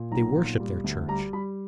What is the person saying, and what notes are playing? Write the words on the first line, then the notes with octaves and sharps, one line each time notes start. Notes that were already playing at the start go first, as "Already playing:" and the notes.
They worship their church.
Already playing: A#2
B1 A#5
A#2
G3
D2
G3 A#5
G3 B5